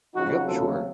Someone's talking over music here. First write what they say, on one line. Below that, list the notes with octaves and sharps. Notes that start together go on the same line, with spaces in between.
Yep, sure.
F2 C#3 F#3 D#4 F#4
D#2 C#3 F#3 A3 C4 F4 A4